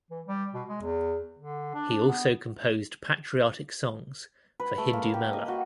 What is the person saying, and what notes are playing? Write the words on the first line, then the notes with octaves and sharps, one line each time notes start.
He also composed patriotic songs for Hindu Mela.
E3
G3
B2
G#3
E2
D3
D4
B3
B4
A3
A#3
G4
D#5
F#4